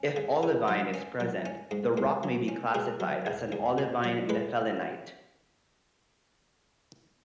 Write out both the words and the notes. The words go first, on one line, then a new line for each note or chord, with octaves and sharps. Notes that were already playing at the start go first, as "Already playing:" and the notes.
If olivine is present, the rock may be classified as an olivine nephelinite.
Already playing: C#4
C#3
C#3
F#3
C#4
F#3
C#4
G#2
G#2
F#3
C#4
B2 G#4
F#3
E2
E2
B2
F#3
G#3 B4